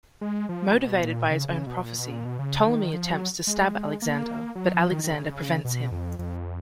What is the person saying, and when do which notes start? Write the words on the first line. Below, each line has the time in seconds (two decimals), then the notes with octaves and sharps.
Motivated by his own prophecy, Ptolemy attempts to stab Alexander, but Alexander prevents him.
0.21 G#3
0.49 F3
0.76 B2
1.03 A#2
1.31 C#3
1.49 C#3
1.67 B2
1.84 A#2
1.98 B2
2.11 A#2
2.25 B2
2.39 C#3
2.66 D#3
2.93 F3
3.11 F#3
3.47 G#3
4.02 A#3
4.55 F#3
4.74 F3
4.91 D#3
5.04 D#3
5.10 C#3
5.65 B2
5.92 F2
6.19 F2